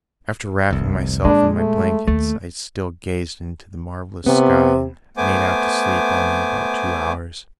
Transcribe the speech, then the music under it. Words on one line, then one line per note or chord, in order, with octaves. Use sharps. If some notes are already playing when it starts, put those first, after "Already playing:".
After wrapping myself in my blankets, I still gazed into the marvelous sky and made out to sleep only about two hours.
F1 C2
A#2 G#3 D4
A3
D#2 A3
C3 B3
A3 B3 C5 G#5 D6